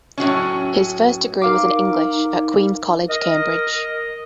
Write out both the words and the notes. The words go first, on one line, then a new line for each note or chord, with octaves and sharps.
His first degree was in English, at Queens' College, Cambridge.
A2 F#3 C#4
D#4 A#4 F5 D6
A#4 D#5